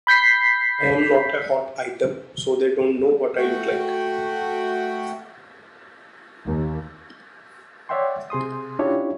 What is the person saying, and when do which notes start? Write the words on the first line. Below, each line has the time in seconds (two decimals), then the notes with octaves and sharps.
I'm not a hot item, so they don't know what I look like.
0.07 B5 G6 B6 C7
3.37 A3 F#4 F#5 G5
6.46 D#2
7.89 C#5 D5 E5 F#5 G5 C6
8.30 C3 G#4 C6 D#6
8.79 C#4 D4 E4 F4 G4 C#5